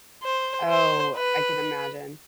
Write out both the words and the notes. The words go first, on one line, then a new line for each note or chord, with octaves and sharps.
Oh, I can imagine.
C5
C5
B4